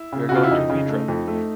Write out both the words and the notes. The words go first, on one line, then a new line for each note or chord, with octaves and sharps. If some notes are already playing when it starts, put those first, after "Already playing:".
We are going to Vidrà.
Already playing: E4
C#3
F#4
C#3 F4
E4
F2 D#4
C#3
A3
F2
A3